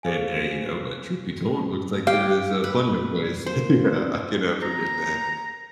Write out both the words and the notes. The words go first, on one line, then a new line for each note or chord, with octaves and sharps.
and and, you know, but, truth be told, looks like there is, uh, plenty of ways yeah, I can, uh, forget that.
G#4 A4 C5 F5 G#5
G4 F5 G5
B4
A#3 C5
A#5